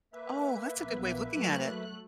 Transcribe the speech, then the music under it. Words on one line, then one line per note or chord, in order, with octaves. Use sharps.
Oh, that's a good way of looking at it.
A#3 B4 E5
A#1 B3
F#3 A3 F#6